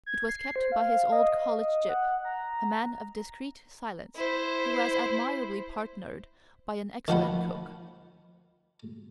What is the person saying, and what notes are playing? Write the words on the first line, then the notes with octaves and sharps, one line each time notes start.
It was kept by his old college gyp, a man of discreet silence, who was admirably partnered by an excellent cook.
G#6
C7
C5
F5
D#5
D#5
D#5
F#5
A#5
E4 C5
D#3 F3 F#5 B5